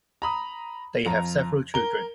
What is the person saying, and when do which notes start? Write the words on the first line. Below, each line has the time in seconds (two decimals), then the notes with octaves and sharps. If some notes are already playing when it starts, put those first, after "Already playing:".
They have several children.
0.22 A#5 B5 D#6
1.06 F2 A#5
1.74 A#4 G7